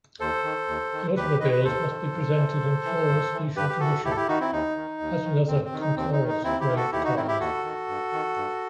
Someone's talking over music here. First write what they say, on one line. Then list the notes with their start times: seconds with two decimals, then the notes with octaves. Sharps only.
The automobiles must be presented in flawless visual condition, as with other "Concours"-grade cars.
0.20 D#2 A4 C5
0.44 D#3
0.68 D#2
0.92 D#3
1.16 D#2 G4 B4
1.40 D#3 B4 D#5
1.52 B4
1.64 D#2 A4 C5
1.88 D#3
2.12 G2
2.36 E3
2.60 G2
2.84 E3
3.08 G2
3.33 E3
3.56 G2 G4 B4
3.69 G4
3.80 E3 F#4 A4
4.04 D#2 E4 G4
4.11 A4
4.16 E4 G4
4.28 D#3 D#4 F#4
4.40 C4 E4
4.52 D#2 D#4
4.76 D#3
5.00 D#2
5.24 D#3
5.48 D#2 C4
5.64 C4
5.72 D#3
5.81 D#4
5.96 D#2 C4
6.12 D#4
6.20 D#3
6.28 D#4
6.44 D#2 C4 E4
6.60 E4 G4
6.68 D#3
6.76 F#4 A4
6.92 D#2 E4 G4
7.04 D#4 F#4
7.16 D#3 C4 E4
7.28 E4 G4
7.40 D#2 F#4 A4
7.64 D#3
7.88 G2
8.12 D#3
8.37 G2